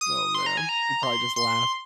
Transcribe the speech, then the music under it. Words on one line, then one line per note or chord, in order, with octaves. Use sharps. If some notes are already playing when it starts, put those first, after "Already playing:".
Oh, man. He'd probably just laugh.
D#6
C6
A#5
G#5
A#5
C6
C6